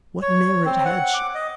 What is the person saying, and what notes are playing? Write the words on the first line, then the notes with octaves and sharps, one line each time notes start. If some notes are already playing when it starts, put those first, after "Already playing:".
What merit had she?
C#5
C4
F#5
D6
D#5